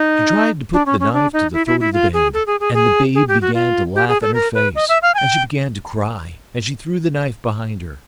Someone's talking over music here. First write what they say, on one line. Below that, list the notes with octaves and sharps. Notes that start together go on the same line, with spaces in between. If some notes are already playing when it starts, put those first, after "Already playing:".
She tried to put the knife to the throat of the babe, and the babe began to laugh in her face, and she began to cry, and she threw the knife behind her.
Already playing: D#4
D4
C#4
C#4
D4
D#4
E4
E4
E4
F4
G#4
A4
G#4
G#4
G#4
G#4
G4
F#4
F4
G4
G#4
A4
A#4
B4
D#5
E5
F5
G#5
G5